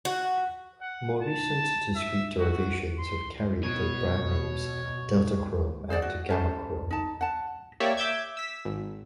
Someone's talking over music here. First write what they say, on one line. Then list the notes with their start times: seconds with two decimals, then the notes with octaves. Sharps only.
More recent discrete derivations have carried the brand names DeltaChrome and GammaChrome.
0.05 F#4
0.81 F#5
1.22 A5
1.96 E5
2.39 F#4
2.98 C6
3.63 B2 C#5
5.90 G#4 C5 D5 F#5
6.02 F#4
6.29 C#4 A4 C5
6.91 D#4 A5
7.21 F#5 A5
7.80 A#3 G4 C#5 D5 E5
7.97 E5 D6 E6 G6 G#6
8.37 E6 B6
8.65 G#1